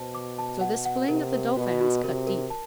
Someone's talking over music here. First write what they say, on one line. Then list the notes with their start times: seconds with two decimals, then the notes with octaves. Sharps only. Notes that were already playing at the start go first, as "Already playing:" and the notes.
So this fling of the Dauphin's cut deep.
Already playing: B2 C5 A5
0.15 D6
0.39 A5
0.61 F#5
0.85 F#5
1.08 C3 A#4
1.32 A#4
1.56 B2 F#4
1.80 F#4
2.04 C3 A#4
2.27 A#4
2.50 A5